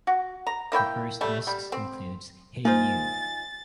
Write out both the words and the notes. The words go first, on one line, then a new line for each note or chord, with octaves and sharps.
The first disc includes Hey You!!!
F#4
A#5
A#3 E4 C#5 G5
G3 A3
G3
C4
A#3 D#4 F4 C5 G#5 A6